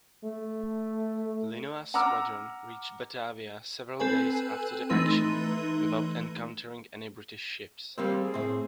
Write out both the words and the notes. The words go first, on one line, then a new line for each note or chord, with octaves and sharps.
Linois's squadron reached Batavia several days after the action without encountering any British ships.
A3
F#5 A#5 D6 E6 F6
C4 A4 B4 G#5
E3 A3 D#4 B4 C6 D#7
G3 A#3 C4 C5
G#4
A2 C4